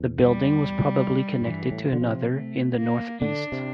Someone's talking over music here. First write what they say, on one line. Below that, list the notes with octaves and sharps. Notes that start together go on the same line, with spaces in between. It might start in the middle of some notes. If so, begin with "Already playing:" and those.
The building was probably connected to another in the northeast.
Already playing: E2
G3
G2 E3
A2
F3
D3
C3
A3
A#3
D3 D4
C3